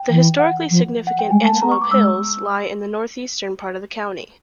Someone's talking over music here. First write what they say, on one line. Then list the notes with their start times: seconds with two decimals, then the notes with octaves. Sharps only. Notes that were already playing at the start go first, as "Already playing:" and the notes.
The historically-significant Antelope Hills lie in the northeastern part of the county.
Already playing: G5
0.09 E3
0.39 F#5
0.70 F3
1.07 F#5
1.19 G5
1.31 G#3 G#5
1.41 A3
1.46 A5
1.52 A#3
1.62 B3 A#5
1.72 C#6
1.82 D6
1.91 G#3 E6